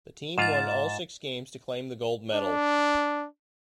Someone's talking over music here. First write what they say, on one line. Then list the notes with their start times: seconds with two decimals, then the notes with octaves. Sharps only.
The team won all six games to claim the gold medal.
0.38 G#2 F4 A6 E7
2.34 D4